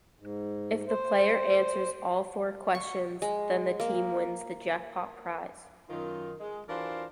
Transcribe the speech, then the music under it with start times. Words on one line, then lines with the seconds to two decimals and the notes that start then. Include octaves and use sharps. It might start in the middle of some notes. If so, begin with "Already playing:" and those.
If the player answers all four questions, then the team wins the jackpot prize.
0.20 G#2
0.88 C5
2.75 C#6
3.22 G#3
3.80 A#3
5.90 F#2 D#3 F4
6.40 G#3
6.69 E3 D4 F4 F#4 A#4 C5